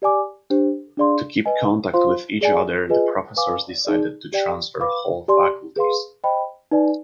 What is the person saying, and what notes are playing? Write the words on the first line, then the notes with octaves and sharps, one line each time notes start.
To keep contact with each other, the professors decided to transfer whole faculties.
G4 D5 G#5 D6
D4 G4 C5
D4 G#4 D5 F5 C6
B4 D#5 G#5
F4 C5 F5 C6
G#4 D5 G#5
F4 G#4 B4 D#5 G#5
B4 F5 G#5 D6
D#4 G#4 D5
G4 D5 G5
B4 F5 B5 D6
G4 D5 G#5 C6
G#4 B4 F5 C6
C5 D#5 G5 B5
D#4 B4 D5 G#5